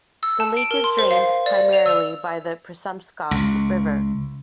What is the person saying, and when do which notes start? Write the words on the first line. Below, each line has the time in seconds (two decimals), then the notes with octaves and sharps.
The lake is drained primarily by the Presumpscot River.
0.23 E6
0.40 A5
0.57 D7
0.71 A#4
0.84 C6
0.99 C5
1.11 F5
1.46 D5
1.59 D5
1.73 F7
1.86 E6
3.31 C#2